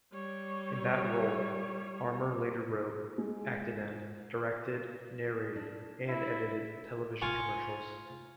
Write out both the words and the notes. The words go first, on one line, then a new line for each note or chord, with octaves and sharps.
In that role, Armer later wrote, acted in, directed, narrated and edited television commercials.
G3 C#5
G#3
D4
E4
F4 G#5 C#6